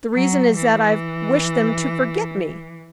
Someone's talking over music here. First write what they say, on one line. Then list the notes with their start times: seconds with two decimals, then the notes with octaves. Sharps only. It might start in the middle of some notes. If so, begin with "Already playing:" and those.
The reason is that I wish them to forget me.
0.15 F#3
0.57 E3